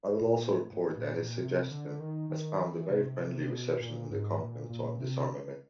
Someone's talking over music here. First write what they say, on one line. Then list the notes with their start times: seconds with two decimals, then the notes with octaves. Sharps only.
I will also report that his suggestion has found a very friendly reception in the Conference on Disarmament.
0.21 A#2
0.50 A2
0.73 A2
0.96 A#2
1.18 A#2
1.41 C3
1.71 D3
2.00 D#3
2.30 D#3
2.60 E3
2.90 C3
3.20 C3
3.50 B2
3.80 A#2
4.10 G#2
4.40 A#2
4.70 A#2
4.99 C3